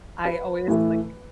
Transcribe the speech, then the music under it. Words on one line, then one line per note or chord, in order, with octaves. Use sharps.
I always like
B4
A2 E3 A3